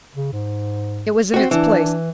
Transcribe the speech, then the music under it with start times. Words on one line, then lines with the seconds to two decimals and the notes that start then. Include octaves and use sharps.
It was in its place.
0.15 C#3
0.32 G#2
1.34 C4 F#4
1.51 E3 D4